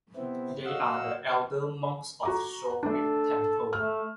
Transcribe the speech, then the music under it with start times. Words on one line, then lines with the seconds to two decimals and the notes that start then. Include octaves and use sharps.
They are the elder monks of Sho-Rhim Temple.
0.16 C3 B3 C4 E4
0.66 F#4 D#5 F5 F#5 E6
2.23 F#4 A#5 D6
2.83 A3 D4 A4
3.73 A3 F6